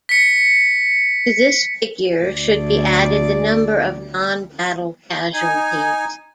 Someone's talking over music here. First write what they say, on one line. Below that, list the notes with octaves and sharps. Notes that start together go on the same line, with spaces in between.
To this figure should be added the number of nonbattle casualties.
B6 C#7
D2 D5
D#4 G#5